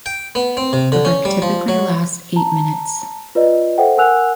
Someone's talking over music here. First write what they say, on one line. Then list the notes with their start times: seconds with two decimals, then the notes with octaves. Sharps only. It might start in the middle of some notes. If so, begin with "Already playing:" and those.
The work typically lasts eight minutes.
0.06 G5
0.35 B3
0.57 C4
0.73 C3
0.92 D3
1.05 C#4
1.25 G3
1.42 F3
1.68 F#3
2.36 A5 A#5
3.35 F4 B4 D5 D#5
3.78 A4 C5 E5 F#5 G5
3.97 A#4 F#5 G#5 E6 F#6 F7